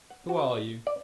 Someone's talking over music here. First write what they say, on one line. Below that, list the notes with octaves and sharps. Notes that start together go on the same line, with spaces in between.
"Who are you?"
F#5
F#4
D5